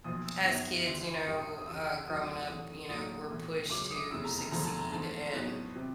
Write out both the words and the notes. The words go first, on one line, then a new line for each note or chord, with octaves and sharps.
as kids, you know, uh, growing up, you know, we're pushed to succeed and,
B1 A#2 F3 D#6
E6
G1 F#2 D#3 G3 B3
D2 D3 G3
A1 G2 D3 G3 D#6
D#6
D#6
D#2 C#3 E3 E6
E6
F1 D#2 D#3 F#3 D#6
E6
A2 E3 A3 D4 D#6
A1 A2 F#3 A#3 D#4 D#6
B1 A2 E3 A3
C#2 C#3 F#3 D6
D#6
F1 E2 C#3 E3 A3 E6
A#5
A#5
E1 D2 D3 F3 A3 A#5
A5
A#5
G#2 E3 A3 A5
A2 F#3 B3 D#4
C3